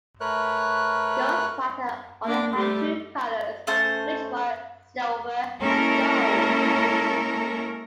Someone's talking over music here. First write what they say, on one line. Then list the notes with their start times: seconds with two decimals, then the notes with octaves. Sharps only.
Ghostwriter only had two colors, which were silver and gold.
0.20 A3 A#4 B4 C#5 F#6
2.24 A#3 D4
2.55 G3 A3
3.67 A3 C#4 C5 A5
5.60 G#3 A#3 C#4 E4 A4 A#4